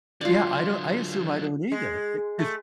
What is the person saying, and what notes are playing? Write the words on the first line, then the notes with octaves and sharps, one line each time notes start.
Yeah, I don't I assume I don't either. It 'cause
D3 F#3 F4 D5
G#3
A3